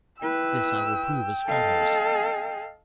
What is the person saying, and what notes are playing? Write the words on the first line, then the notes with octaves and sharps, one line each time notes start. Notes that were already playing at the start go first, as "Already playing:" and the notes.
This I will prove as follows.
E4 B4 G5 E6
A4 D#5 F5